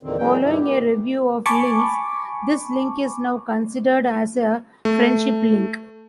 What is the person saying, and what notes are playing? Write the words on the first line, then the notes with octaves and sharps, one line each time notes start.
Following a review of links this link is now considered as a friendship link.
E2 A#2 D3 D#3 C4
A#2 E3 F#3 G#3 C#4 G5
G2 C3 D#3 D4 E4
A#2 B3 G4
G#5 A5 B5 C#6 D6
A3